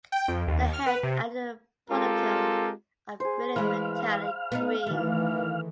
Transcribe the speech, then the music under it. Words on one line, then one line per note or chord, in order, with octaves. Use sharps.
The head and the pronotum are brilliant metallic green.
G5
F2
D#2
F6
B4
C3
G#3 C4 F4 G4 A4 A#4
G#4 C5
E3 G#3 F5 B5
B3 C4 D#4
D#3 E3 A3